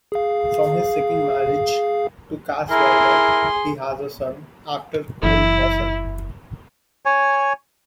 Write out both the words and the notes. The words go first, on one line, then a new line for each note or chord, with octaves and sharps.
From his second marriage, to Cass Warner, he has a son, actor Cole Hauser.
G#4 F5
E4 G#4 A#4 C6
F#1 E3 E4
C#5 G#5